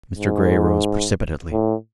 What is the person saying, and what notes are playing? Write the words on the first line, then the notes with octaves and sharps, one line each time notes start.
Mr. Grey rose precipitately.
G#2
A2